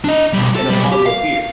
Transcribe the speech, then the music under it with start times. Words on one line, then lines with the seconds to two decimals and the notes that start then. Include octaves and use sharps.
and a bottle of beer.
0.04 D4 D#5
0.33 B2 G3
0.55 A4
0.70 B1 G3
0.92 G4
1.06 F5